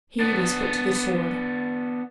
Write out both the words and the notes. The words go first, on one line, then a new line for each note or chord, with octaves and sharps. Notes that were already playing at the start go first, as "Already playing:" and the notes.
He was put to the sword.
B3 D4